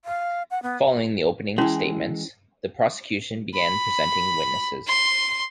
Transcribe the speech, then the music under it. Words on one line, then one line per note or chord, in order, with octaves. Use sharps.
Following the opening statements, the prosecution began presenting witnesses.
F5
F#5
B3
E3 G#3 C#4 E4 F#4
B5
C6